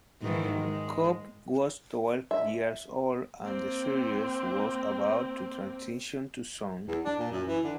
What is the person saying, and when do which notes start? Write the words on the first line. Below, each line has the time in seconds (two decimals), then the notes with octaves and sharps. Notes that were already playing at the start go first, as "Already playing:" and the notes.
Cobb was twelve years old, and the series was about to transition to sound.
0.21 G#2 D#3 E3
0.59 G#3
2.31 E5
3.41 A#3 C4
6.87 E2
7.05 D4
7.19 A#2
7.32 F#2
7.46 E3
7.64 D3